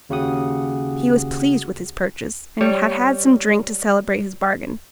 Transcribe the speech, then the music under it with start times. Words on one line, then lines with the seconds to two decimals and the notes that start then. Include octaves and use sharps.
He was pleased with his purchase, and had had some drink to celebrate his bargain.
0.09 D#2 C#3 F#4 G4 F#5 D#6
2.61 G3 C#5